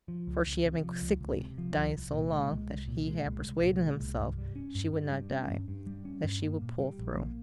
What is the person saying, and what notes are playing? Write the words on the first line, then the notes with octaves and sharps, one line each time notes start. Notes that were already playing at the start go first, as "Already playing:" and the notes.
For she had been sickly, dying so long, that he had persuaded himself she would not die; that she would 'pull through.'
F3
C#2
C#2
C3
F3
C#2
C#2
C3
F3
C#2
C2
A#2
G#3
C2
C2
A#2
G#3
C2
C2
A#2
G#3
C2
G2
G3
C#4
G2
G2
G3
C#4
G2
G2
G3
C#4
G2
A#3
A#2
G3
A#1
A#3